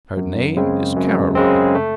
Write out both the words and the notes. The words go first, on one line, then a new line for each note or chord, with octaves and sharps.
'Her name is Caroline.
F#2
C#3 G#3 C4
F#2
C#3 G#3 C4
A3